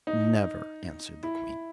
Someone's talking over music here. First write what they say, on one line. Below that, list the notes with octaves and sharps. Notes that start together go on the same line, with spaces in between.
"Never," answered the Queen.
D#4
E4